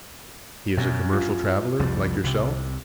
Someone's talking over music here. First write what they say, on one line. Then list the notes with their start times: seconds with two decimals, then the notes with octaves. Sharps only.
"He is a commercial traveler like yourself?"
0.77 F#2 B2
1.13 F4
1.79 C2 F2 G3
2.24 C2 C3